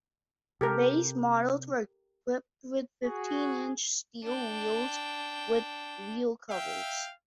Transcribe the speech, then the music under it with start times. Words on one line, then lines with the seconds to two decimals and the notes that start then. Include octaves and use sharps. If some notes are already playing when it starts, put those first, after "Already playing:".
Base models were equipped with fifteen-inch steel wheels with wheel covers.
0.61 C3 G4 A4 A#4
3.05 F#4 G#4
4.24 D4 G5
6.50 E5 F5 G5